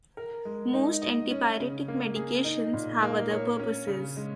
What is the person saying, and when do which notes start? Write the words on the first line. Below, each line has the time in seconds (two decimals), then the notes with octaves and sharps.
Most antipyretic medications have other purposes.
0.17 A#4
0.45 G#3
0.73 D#4
1.02 D#5
1.31 C#4
1.60 C#3
1.88 A#3
2.16 G#4
2.44 D#4
2.73 A#2
3.03 A#3
3.31 C#5
3.59 C#4
3.87 C#3
4.17 G#3